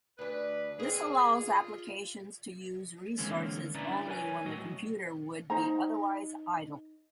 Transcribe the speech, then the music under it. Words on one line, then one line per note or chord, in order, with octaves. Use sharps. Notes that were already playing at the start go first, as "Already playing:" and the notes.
This allows applications to use resources only when the computer would be otherwise idle.
D2 D4 B4
A#3 C4 G#4
F4
D3 E3 G#3 A#3 C4 C#4
C#4 D4 E4 B4 D5 A#5
A#4 B4 C#5 G#5
A2 F#3 F#4 D#5
D#4 C5 A#5